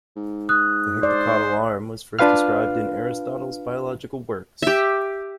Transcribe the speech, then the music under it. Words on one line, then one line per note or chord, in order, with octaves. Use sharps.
The hectocotyl arm was first described in Aristotle's biological works.
G#2
D#6 F#6
C5 D5
D4 F4 B4 F5 F6
G4 E5